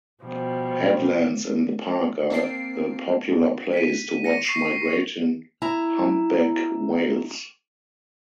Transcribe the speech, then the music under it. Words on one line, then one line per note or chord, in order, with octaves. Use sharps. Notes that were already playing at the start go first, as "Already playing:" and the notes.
Headlands in the park are a popular place to watch migrating humpback whales.
B2 F3 G3
A#3 C4 A5 C7 D7
B6 D#7
A#6 C#7 D#7
C#6 C7
E4 A#5